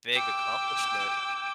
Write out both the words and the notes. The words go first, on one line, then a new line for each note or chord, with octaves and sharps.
big accomplishment.
G5 D6 E6